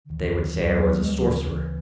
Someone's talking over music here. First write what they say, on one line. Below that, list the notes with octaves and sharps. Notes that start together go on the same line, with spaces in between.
'They would say I was a sorcerer.
D3
D2 E3
D3
D2 D3
E3
D2 F#3
B3
D2 G#3
F#3
C#3 E3
E3
D2